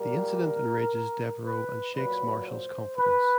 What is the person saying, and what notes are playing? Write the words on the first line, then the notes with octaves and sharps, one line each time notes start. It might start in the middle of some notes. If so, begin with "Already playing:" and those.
The incident enrages Deveraux and shakes Marshall's confidence.
Already playing: A#2 G3 A#4
B4
A#2 F#3 B4
C5
B4